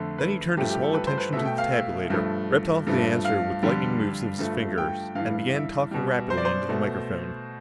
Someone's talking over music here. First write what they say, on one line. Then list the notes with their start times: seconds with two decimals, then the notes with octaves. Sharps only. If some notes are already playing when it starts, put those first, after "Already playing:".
Then he turned his whole attention to the tabulator, ripped off the answer with lightning moves of his fingers and began talking rapidly into the microphone.
Already playing: F2 D3 A3
0.18 B4
0.57 G2 F3 A3 G4
0.70 G4
0.82 A4
0.94 B4
1.07 C5
1.18 B4
1.33 B2 A3 E5
1.46 G5
1.58 F5
1.72 E5
2.10 G2 F3 A3
2.87 G2 F3 A3
3.25 F5
3.62 F2 D3 G3
4.39 G2 F3 A3
4.78 G5
5.15 G2 E3 G3 F5
5.54 E5
5.91 B2 G3
6.30 C5
6.37 D5
6.45 C5
6.69 B2 A3